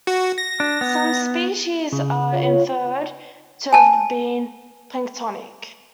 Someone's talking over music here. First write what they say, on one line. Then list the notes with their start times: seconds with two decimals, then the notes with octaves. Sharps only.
Some species are inferred to have been planktonic.
0.07 F#4
0.38 A#6
0.60 D4
0.81 B3
1.92 C#3
2.33 F4 C#5
3.73 G#5 A5